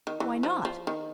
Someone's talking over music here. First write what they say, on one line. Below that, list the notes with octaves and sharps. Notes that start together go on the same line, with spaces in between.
Why not?
D#3
E3
F3
F3
D#3